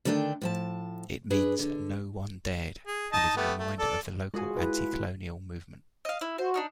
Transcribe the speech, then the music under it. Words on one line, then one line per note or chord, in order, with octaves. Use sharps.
It means 'no one dared' and is a reminder of the local anti-colonial movement.
D3 D#3 A3 D4 G5
A2 F3 A5
D4 G#4 B4
D3
G#4
D#4 D#5 A5
A3 B3 G4
A3
A4 D5
G#3 F4 F#4 G#4 G#5
E4 B4
D#5 F5
E4
F#4 C5
D4 D#4 F4